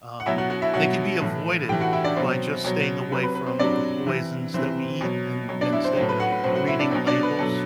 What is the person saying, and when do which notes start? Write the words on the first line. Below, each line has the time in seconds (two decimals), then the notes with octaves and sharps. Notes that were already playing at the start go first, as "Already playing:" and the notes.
um they could be avoided by just staying away from the poisons that we eat and and stay you know, reading labels
0.20 F#5
0.26 B2 F#3 E4 E5
0.38 F#4 F#5
0.50 F#4 F#5
0.62 E4 E5
0.73 B2 F#3 F#4 F#5
1.21 A2 E3
1.69 A2 G4 G5
1.72 E3
1.81 F#4 F#5
1.93 E4 E5
2.04 D4 D5
2.16 B2 F#3 C4 C5
2.64 B2 F#3
3.11 C3 F#3 B4
3.23 B4
3.35 B4
3.46 C4 C5
3.59 C3 F#3 D4 D5
4.06 C3 E3
4.54 C3 E3 C4 C5
5.01 B2 F#3
5.49 B2 F#3
5.61 D4 D5
5.72 E4 E5
5.84 C4 C5
5.96 A2 F#3 C4 C5
6.09 B4
6.20 F#4 F#5
6.32 B4
6.43 A2 F#3 C4 C5
6.56 F#4 F#5
6.67 E4 E5
6.79 D4 D5
6.91 F#3 C4 C5
6.95 B2
7.07 D4 D5
7.23 B4
7.38 B2 F#3 A4